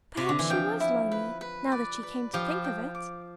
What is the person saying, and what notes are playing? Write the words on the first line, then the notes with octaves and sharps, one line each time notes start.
Perhaps she was lonely, now that she came to think of it.
C3
D3
E3
F3 G5
E4
B4
B4
D5
B4
F3 G4
G5
D6